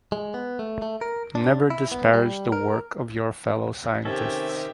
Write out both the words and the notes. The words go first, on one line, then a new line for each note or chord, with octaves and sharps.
Never disparage the work of your fellow scientists.
G#3
B3
A3
A3
A#4
D4
E4
B3
G3
A#4
C3 D#3 C#4 G4 A4 E5